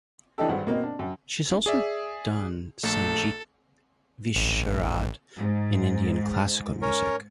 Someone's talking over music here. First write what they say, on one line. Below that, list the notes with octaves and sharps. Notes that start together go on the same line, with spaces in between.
She has also done Sangeet Visharad in Indian classical music.
E3 D4 D#4 G4 A4
G#1 G2 F#5
B2 A#3 C4 D#4
D4
F#2
G#4 D5 E5
A#1 A3 A4
A1
G#2
C#4 A#4 C#5